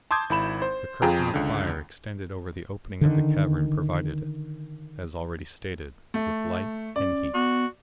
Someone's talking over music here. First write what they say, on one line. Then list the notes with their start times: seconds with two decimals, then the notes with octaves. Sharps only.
The curtain of fire extending over the opening of the cavern provided it, as already stated, with light and heat.
0.11 A5 C6 D6 D#6 G6 G#6
0.30 G#1 E4 B5 E7
0.62 C5
1.02 F2 F4 G#4 G5 A#5
1.34 C#2 D3
3.01 D3 D#3
6.14 A3
6.96 C#4 D5
7.34 B3 F#4